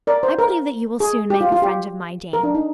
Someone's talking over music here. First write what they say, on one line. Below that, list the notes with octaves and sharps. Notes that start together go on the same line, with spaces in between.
I believe that you will soon make a friend of my Dane.
A#4 D5
C5
A#4
G#4
G4
F4
F4
G4
A#4
D4
D#4